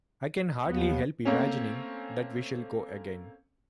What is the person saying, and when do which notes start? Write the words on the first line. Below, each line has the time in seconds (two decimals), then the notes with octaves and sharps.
I can hardly help imagining that we shall go again.
0.67 D#2 F#3 B3
1.25 A3 A#3 C4 C#4